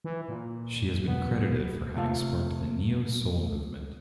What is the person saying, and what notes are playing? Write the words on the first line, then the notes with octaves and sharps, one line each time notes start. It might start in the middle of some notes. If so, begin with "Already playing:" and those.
She has been credited for having sparked the neo-soul movement.
E3
A#2
B2 F#3 G#3 B3
C3 A3 F4 F5